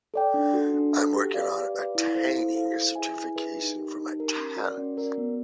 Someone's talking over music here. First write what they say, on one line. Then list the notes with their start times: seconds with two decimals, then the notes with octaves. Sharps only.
I am working on attaining certification for my talents.
0.14 A4 D5 G5
0.34 D4
0.54 F#4 A4
0.74 D4
0.94 F#4 A4
1.14 G4
1.34 B4 D5 F5
1.54 G4
1.75 B4 D5 F5
1.95 E4
2.15 A4 C5 F5
2.35 E4
2.55 A4 C5 F5
2.76 E4
2.95 G#4 B4 E5 G#5
3.16 E4
3.36 G#4 B4 E5 G#5
3.56 D#4
3.76 G4 A#4
3.96 D#4
4.17 G4 A#4
4.37 C#4
4.57 F#4 A#4 D5
4.77 C#4
4.97 F#4 A#4 D5
5.18 B3